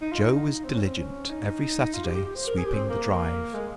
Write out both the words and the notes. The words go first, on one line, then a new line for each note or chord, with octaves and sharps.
Joe was diligent every Saturday sweeping the drive.
D#4
F4
D#4
C4
C#4
C4
C#4
D#4
F4
G4
G4
G4
C5
A#4
G#4
G4
C4
A#3
G#3